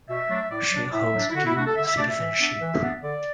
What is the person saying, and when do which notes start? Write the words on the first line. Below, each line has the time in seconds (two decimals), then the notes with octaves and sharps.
She holds dual citizenship.
0.08 B2 E5
0.29 F#3 A3 D4
0.50 A2 D5
0.71 F#3 D4
0.92 A2 E5
1.14 F#3 D4
1.31 E4
1.35 D3 F#4
1.45 E4
1.55 A3 D4 F#4
1.66 A4
1.76 D3 E5
1.87 E5
1.97 A3 D4 D5
2.09 E5
2.19 E3
2.39 B3 D4
2.60 E3
2.82 B3 D4
3.02 D3 D5